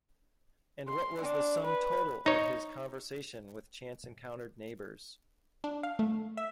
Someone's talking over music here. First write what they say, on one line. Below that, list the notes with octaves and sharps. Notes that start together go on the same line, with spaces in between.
And what was the sum total of his conversation with chance-encountered neighbours?
C6
D4
B4
D#4 C#5
D4
F5
A3
E5